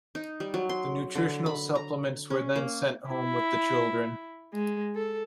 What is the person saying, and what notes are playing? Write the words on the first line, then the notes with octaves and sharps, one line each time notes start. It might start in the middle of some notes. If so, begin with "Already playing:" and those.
The nutritional supplements were then sent home with the children.
D#4
G3
F#3
C6
D3
B5
A#5
C#4
A#3
E4
G#3
A4